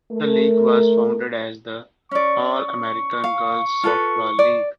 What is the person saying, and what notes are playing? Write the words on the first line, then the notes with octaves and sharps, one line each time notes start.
The league was founded as the "All-American Girls Softball League".
A3 A#4
C#4 D5 C#6
C#6
F5
F4 A4 B4
D5